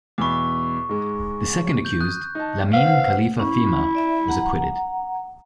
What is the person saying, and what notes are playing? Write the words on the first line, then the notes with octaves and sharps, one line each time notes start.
The second accused, Lamin Khalifah Fhimah, was acquitted.
E2 B2 B5 C#6 D6
G#2 G#3
G6
D#6 F#6
D#4 A5
B4 C5 F5 F#5
C#4 E4
D5 E5
F#5 A#5